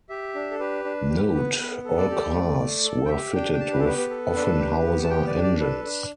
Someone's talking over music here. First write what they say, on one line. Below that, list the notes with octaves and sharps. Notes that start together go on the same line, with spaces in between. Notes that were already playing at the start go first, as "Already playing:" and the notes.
Note: all cars were fitted with Offenhauser engines.
G4 E5
D4
A4
G4 B4
D4
G4
B3
B3 B4
A4
D5
G4
A3
A3
A4
G5
G4 E5
D4 G5
G5
G4 A5
B4
A4
B3 B4
B4
A4
D4
G4
B3
A5
G4 G5
D5
D4
D5
A4 B4
D4